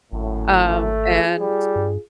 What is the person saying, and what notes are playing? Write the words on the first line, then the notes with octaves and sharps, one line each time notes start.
Um, and,
G#1 F#2 A2
A3
F4 G#4
G3
G2